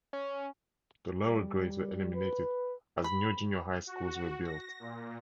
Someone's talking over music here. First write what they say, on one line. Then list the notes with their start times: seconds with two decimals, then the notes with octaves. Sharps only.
The lower grades were eliminated as new junior high schools were built.
0.13 C#4
1.24 G3
2.14 B4
3.04 B5
3.87 F#4
4.44 A#6
4.80 A#2